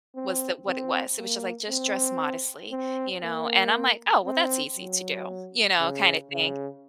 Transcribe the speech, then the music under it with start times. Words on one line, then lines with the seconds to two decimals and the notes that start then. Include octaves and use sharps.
was tha what it was, it was just, like, just dress modestly, you know, and I'm like, "Oh, well, that's easy to do," you know, kinda thing.
0.16 C4
0.67 C4
1.18 A#3
1.69 C4
2.71 C4
3.23 A#3
4.25 C4
4.76 F#3
5.79 C#3
6.31 C#3